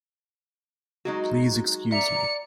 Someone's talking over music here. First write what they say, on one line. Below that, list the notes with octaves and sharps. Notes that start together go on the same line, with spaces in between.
Please excuse me.
F#3 G#3 D#4 F#4
D5 E5 A#5 C#7